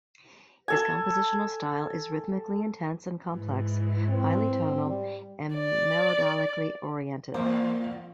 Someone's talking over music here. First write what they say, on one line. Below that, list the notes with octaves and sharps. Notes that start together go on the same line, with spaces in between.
His compositional style is rhythmically intense and complex, highly tonal and melodically-oriented.
A4 G#5
G#2 E3
C4
G3
D5
E2 A#2 A#3 C5